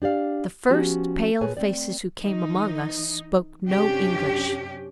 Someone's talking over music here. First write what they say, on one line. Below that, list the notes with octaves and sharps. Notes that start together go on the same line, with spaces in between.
The first pale faces who came among us spoke no English.
D4 G4 D5 F5
F3 B3 C#4 F#4 G4
A#2 G#4 B4 C#5 G#5 A5
A3 C4 D5
E3 D#4
F#2 C3 C#4 D4 G4